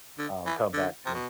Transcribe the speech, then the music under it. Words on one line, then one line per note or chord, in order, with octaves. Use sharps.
um, come back to me.
D3
E3
D3
C3
B2